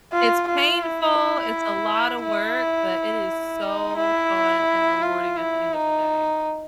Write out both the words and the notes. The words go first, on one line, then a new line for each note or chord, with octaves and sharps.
it's painful, it's a lotta work, but it is so fun and rewarding at the end of the day.
F4
F4
E4
E4
D#4
E4
F4
E4
D#4